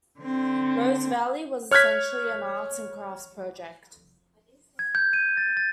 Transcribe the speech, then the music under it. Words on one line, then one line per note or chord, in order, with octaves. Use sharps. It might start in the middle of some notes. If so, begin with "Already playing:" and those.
Rose Valley was essentially an arts and crafts project.
D3 C4
C#5 F6 F#6 G#6 B6
G#6
G6
D#7
A6
A6